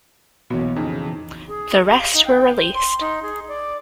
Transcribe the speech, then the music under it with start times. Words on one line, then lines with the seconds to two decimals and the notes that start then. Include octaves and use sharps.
The rest were released.
0.50 B1 B2 E3 A#3 B3 F#4 C#5
0.76 F2 C#3 D#4
1.48 G#4
1.86 G4
1.98 F5
2.14 D#4
2.25 G5
2.56 C5
2.74 C6
3.00 D#4
3.22 G#4
3.48 D5